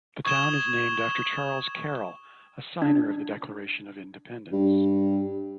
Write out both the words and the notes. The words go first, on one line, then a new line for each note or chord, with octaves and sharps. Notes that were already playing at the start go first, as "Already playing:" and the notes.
The town is named after Charles Carroll, a signer of the Declaration of Independence.
C#6 D#6 G#6 E7 G7
D4
G2